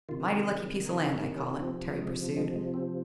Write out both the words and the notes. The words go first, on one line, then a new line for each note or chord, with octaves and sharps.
"Mighty lucky piece of land, I call it," Terry pursued.
C3 D#3 F4
D#4
C#4
C#4
D#4
D#4
C#4
C3 F3 C4
G#3
G#3
G#3
C4